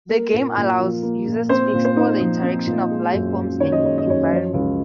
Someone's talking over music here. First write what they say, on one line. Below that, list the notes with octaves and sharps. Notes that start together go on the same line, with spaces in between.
The game allows users to explore the interaction of life-forms and environments.
A#3 A#4
A#2
A#2
F3
A#3
A#2
C4 C5
A#2
C5
D#4
F3
C4
A#2
G#3
F#2
F#2
D#3 C#5
D#5
G#3 C#5
D#5
F#2 C#5
D#5
F3
C#5
C#2